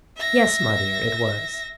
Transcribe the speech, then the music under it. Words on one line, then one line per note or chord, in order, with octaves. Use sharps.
'Yes, my dear, it was.'
E5 A#6